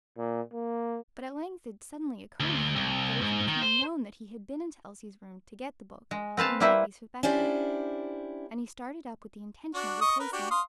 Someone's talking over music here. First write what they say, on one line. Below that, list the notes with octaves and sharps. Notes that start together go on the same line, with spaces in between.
But at length it suddenly occurred to him that if it became known that he had been into Elsie's room to get the book he might be suspected; and he started up with the intention of replacing it.
A#2
A#3
D2
C2
G#2
D#3
C5
G#3
C4 B4 F5 A5
G3 A#3 E4 B4 C5 E5
C#4 D4 E4 G4 C5 D5
D4 F#4
D#5 C#6 D#6
A#4 B4
D4 F#4 G4
F5 C6 D#6